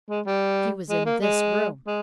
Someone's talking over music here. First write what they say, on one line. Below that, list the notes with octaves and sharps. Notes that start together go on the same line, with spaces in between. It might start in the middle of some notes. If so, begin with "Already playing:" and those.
She was in this room.
G#3
G3
G#3
A#3
G#3
G#3